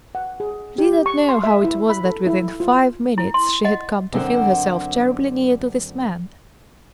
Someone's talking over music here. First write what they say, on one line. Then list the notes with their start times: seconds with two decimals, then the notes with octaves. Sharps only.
She did not know how it was that within five minutes she had come to feel herself terribly near to this man.
0.15 F#5
0.40 G#4
0.78 G4
1.06 C#6
1.29 C6
1.44 E5
1.64 E4
1.90 B5
2.05 A4
2.27 E4
2.60 F4
3.18 E4
3.34 C6
3.65 D#5 F#5
4.13 F#2 D3 C4 F#4 C5 F#5